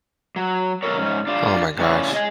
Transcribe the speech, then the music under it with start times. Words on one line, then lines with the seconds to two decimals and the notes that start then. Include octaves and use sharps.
Oh my gosh.
0.36 F#3
0.83 B2 A4 A#4 C#5
0.97 G#2 C#4
1.27 D4 F4
1.79 A2 C#3 C#4 E4 C#5 D5
2.14 G#4 D#5